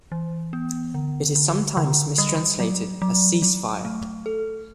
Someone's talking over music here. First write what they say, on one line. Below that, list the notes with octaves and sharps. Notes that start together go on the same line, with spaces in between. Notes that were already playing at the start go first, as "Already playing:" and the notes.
It is sometimes mistranslated as "cease-fire".
E3
B3
D3
D3
D3
G3
F#3
F#3
F#3
A3
A4